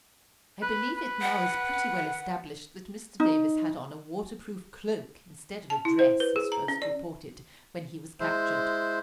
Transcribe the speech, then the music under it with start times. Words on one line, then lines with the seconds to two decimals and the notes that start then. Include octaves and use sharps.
I believe it now is pretty well established that Mr. Davis had on a water-proof cloak instead of a dress, as first reported, when he was captured.
0.62 B4
0.97 B4
1.21 F#5
3.20 D#4
5.70 A5
5.85 E4
5.99 C5
6.20 B4
6.36 G#4
6.52 A#5
6.68 C#4
6.82 D5
8.20 G#3 E4 C5